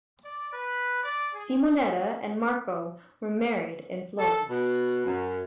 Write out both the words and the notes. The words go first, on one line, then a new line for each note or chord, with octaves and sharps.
Simonetta and Marco were married in Florence.
D5
B4
D5
G#4
A4
B2
F#2